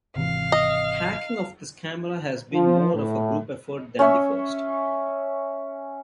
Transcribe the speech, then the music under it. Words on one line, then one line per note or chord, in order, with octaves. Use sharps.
Hacking of this camera has been more of a group effort than the first.
G#1 C3 E3 F5
D#5
F3
A2
C#4 C#5 E5